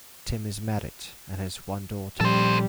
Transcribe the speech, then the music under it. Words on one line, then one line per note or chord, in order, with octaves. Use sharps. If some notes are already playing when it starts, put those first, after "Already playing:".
Timm is married and has one daughter.
A#2 F3 G3 C#4 A4 C5